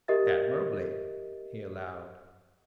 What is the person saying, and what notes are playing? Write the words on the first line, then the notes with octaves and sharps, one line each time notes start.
"Admirably," he allowed.
G4 A#4 D#5 E5 A6